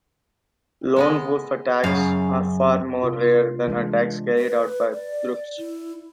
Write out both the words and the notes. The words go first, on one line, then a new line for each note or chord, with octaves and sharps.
Lone wolf attacks are far more rare than attacks carried out by groups.
G#3 B3 D#5
F#2 C#3 F5
C3 D4 F4
E3 G#3 D4
B4
D5
E4